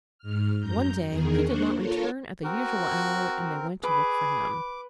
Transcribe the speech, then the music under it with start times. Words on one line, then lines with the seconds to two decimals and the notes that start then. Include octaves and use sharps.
One day he did not return at the usual hour and they went to look for him.
0.18 G#2 F6
0.59 F#2 A#5 G6
1.06 E2 D#3 G#4 A#4
1.41 A#3 D4 C5 C#6 F#6
1.76 F4 A4 A#4 C#5 F5
2.44 C4 F#4 A#4
3.83 G#4 B4 D6